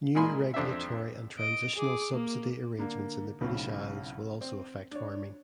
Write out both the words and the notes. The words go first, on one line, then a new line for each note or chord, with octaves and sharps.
New regulatory and transitional subsidy arrangements in the British Isles will also affect farming.
A#2 G#3 A#3 G#5 B5 C6
F2 D4 C5 E5
D#5 D7
G#4 D6
A#3
D3 A#3
B1 A2 C#3 C4
C4
D4 C#5